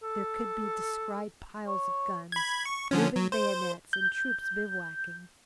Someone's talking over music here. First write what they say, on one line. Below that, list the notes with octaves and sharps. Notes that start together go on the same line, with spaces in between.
There could be descried piles of guns, moving bayonets, and troops bivouacking.
A4
C#5
B5 G#6
C#6
D3 F3 C#4
F#3
C5
G6